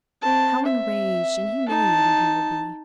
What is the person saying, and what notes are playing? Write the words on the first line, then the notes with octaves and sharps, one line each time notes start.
How enraged and humiliated he will be!
C4 A5
E5
D#4 A5